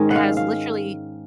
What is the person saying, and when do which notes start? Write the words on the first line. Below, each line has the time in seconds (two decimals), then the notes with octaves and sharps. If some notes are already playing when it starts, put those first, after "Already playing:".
has literally,
Already playing: G#2 D#3 G#3 C#4
0.11 F5 F#5
0.37 F5